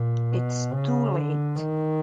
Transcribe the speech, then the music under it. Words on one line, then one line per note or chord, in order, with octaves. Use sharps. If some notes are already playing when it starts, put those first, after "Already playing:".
It is too late.
Already playing: A#2
B2
C#3
D3
D#3